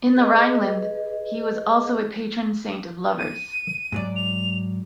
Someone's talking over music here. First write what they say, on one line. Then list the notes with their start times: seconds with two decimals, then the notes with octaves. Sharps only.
In the Rhineland, he was also a patron saint of lovers.
0.17 G#4 B4 D#5
3.19 D#7
3.92 G#2 F#3 D5
4.16 F7